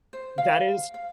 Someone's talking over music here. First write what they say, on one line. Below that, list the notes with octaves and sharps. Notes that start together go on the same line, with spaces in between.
that is
C5
F5
F5